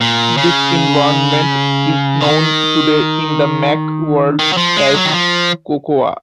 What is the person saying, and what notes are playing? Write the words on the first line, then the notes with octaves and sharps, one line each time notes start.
This environment is known today in the Mac world as Cocoa.
A#2
C#3
D#3
D#3
F#3
F3
G#3
F#3
D#3
F3